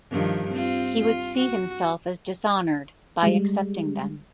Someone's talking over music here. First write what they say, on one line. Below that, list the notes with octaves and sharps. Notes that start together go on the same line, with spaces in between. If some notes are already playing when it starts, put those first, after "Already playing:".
He would see himself as dishonored by accepting them.
G2 D#3 F3
C4 F4
F4
F#4
G3 G#3